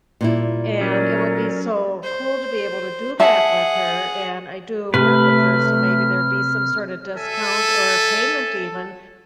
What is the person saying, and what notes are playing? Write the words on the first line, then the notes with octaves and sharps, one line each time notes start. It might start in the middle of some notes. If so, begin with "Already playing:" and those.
and it would be so cool to be able to do that with her, and I do work with her, so maybe there'd be some sorta discount or payment even
A#2 G3 E4
F#3 C#4 A#4 D5
C5
G#4 E5 F#5 A5
C3 A3 B4 F6
A4 E5 G#5